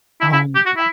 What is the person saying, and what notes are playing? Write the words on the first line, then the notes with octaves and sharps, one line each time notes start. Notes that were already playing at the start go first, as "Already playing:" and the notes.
Oh, no.
E4
E4
G4
F#4
E4